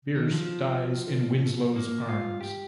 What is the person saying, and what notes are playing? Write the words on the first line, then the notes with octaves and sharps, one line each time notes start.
Bierce dies in Winslow's arms.
D#3
F3
A#3
F4
G4